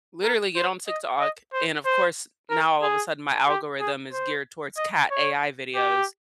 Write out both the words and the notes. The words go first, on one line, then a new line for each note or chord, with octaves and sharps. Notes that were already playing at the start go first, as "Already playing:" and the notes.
literally get on TikTok. And, of course, now all of a sudden, my algorithm is geared towards cat AI videos,
A#4
C5
D#5
D#5
C5
C5
A#4
G#4
G4
G#4
C5
D#5
C#5
G4